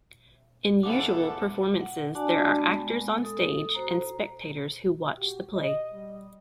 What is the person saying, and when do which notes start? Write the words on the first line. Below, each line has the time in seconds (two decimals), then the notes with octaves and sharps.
In usual performances there are actors on stage and spectators who watch the play.
0.83 E2 G#2 C#3 A3 E4 A4 F#5 D6
1.81 F#5
2.15 D4 F#4 D5 G#5 A5
2.56 G#3 B3
3.23 A4 D#6
3.75 F#4 C5 A#5
5.18 F#4 G4
5.55 D#5
5.91 G3